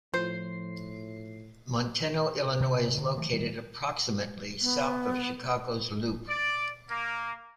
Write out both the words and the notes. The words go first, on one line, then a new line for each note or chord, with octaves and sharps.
Manteno, Illinois is located approximately south of Chicago's loop.
A2 F3 C5 C7
C3
D3
D#3 E3 F#3 A3
D#3 G3
B3
D5
A#3